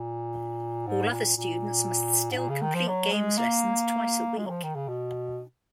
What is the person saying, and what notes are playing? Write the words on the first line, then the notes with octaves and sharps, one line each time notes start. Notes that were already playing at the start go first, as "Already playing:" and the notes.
All other students must still complete Games lessons twice a week.
Already playing: A#2
G#2
A#2
A#2
G#2
A#2
C#3
D#3
F3
F#3
G#3
A#3
G#3
F#3
F3
D#3
C#3
B2